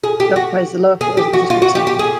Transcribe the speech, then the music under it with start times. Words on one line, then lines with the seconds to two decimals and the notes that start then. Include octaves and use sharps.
It occupies the lower floors of the Citigroup Center.
0.04 G#4
0.20 G4
0.36 F#4
1.01 G#4
1.17 G4
1.33 F#4
1.50 F4
1.62 F#4
1.75 G4
1.87 G4
1.99 G#4